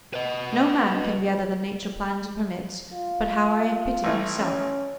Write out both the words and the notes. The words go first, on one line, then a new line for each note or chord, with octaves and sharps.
No man can be other than Nature plans or permits, but how I have pitied myself!
B4 D#5
F4
A1 E3 A3
C#4